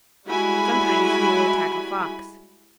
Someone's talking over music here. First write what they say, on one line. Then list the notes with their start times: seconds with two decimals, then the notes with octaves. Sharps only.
Sometimes he will attack a Fox.
0.27 G3 G#3 E4 F#4 G#5 B5